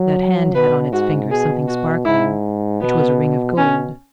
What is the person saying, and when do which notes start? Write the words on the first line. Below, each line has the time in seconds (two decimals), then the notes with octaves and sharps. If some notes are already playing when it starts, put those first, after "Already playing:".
That hand had on its finger something sparkling, which was a ring of gold.
Already playing: F#3
0.55 B2 B4
0.93 G#2 F#4
1.31 B2 G#4
1.68 F#4
2.06 G#2 E4
2.81 B2 B3
3.57 B2 C#4